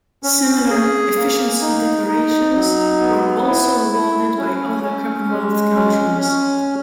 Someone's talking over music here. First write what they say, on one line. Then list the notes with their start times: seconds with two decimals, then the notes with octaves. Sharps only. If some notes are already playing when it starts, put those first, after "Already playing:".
Similar Efficiency Decorations were also awarded by other Commonwealth countries.
0.23 C#4
0.70 G#4
1.16 A#3
1.61 D#4
2.07 D#4
2.54 F#3
3.00 B3
3.46 E4
3.92 E4
4.38 C#4
4.83 C#4
5.30 G#3
5.76 C#4
6.22 C#4